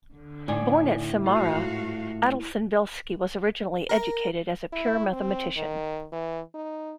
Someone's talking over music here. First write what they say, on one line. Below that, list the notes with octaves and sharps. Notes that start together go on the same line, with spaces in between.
Born at Samara, Adelson-Velsky was originally educated as a pure mathematician.
D3
A2 D#4 D5 G#5
G#2 A3 F4 F#4 F5
A#4
E4
C4
D#3
E3
D#4